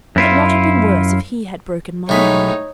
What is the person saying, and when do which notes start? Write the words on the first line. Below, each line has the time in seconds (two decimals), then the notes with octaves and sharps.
Would it not have been worse if he had broken my head?
0.16 F#2 E4 F4
2.09 B1 A2 F#3 G#3 D#4 C#5 B5